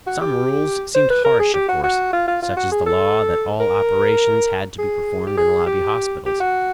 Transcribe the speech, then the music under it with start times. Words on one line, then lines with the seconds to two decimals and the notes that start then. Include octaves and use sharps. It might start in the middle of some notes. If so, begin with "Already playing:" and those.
Some rules seemed harsh, of course, such as the law that all operations had to be performed in Lobby hospitals.
0.07 F#4
0.21 G4
0.95 C5
1.10 B4
1.25 A#4
1.40 G#4
1.54 G4
1.69 F#4
1.84 F#4
2.13 F4
2.28 F4
2.42 F4
2.57 F#4
2.71 G#4
2.86 A4
3.60 A#4
4.79 G#4
5.27 G4
5.37 G#4
5.67 G4
6.26 G4
6.40 F#4